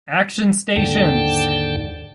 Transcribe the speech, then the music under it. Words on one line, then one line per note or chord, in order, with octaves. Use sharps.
Action Stations!
D#2 G#2 D3 G5 A5